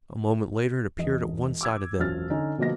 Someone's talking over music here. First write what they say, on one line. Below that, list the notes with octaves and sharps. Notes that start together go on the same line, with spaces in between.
A moment later it appeared at one side of them.
E1 D#5
D6 E6 G#6
E1 A#1 F#2 F3 F6 A6
D3 C#4 D#4
B2 D3 F3 A#3 D#5 A#6